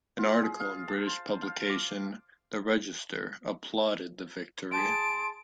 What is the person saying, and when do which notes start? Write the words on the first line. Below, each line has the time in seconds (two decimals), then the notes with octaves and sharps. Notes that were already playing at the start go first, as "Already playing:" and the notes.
An article in British publication "The Register" applauded the victory.
0.18 F4
0.43 G#4
0.60 F5
0.88 A5
1.07 C5
1.42 F5
1.70 D6
4.71 G#4 A5 C6 D7